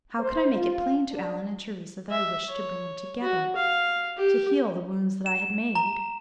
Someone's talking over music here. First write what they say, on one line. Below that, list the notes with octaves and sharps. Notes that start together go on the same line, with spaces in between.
How could I make it plain to Allan and Theresa that I wished to bring them together, to heal the wounds that I had made?
C5
F4
D4
E5
C#5
F#4
F5
G4
E7
A#5